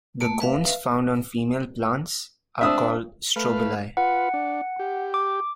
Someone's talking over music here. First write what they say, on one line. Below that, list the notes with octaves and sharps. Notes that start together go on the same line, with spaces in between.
The cones found on female plants are called strobili.
A3 A#3 A5
B4 E5 F5
C4 D4 E5 D#6 E6
A3 B4 F5
F4 B4 F#5
D4
G4
D6